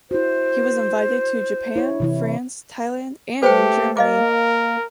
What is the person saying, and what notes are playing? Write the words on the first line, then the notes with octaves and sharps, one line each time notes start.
He was invited to Japan, France, Thailand and in Germany.
E4 F#4 C5
E4 C#5
C3 E3 E4
A3 G4 A4 B4 C5 G5
A#3 A#4 D#5 F5 D6